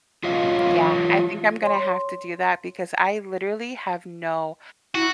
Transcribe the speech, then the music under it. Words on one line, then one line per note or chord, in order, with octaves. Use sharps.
Yeah, I think I'm gonna have to do that because I, literally, have no
F#3 F4 F#4 C#5 D#5 F5
C#5 C6
E4 F#4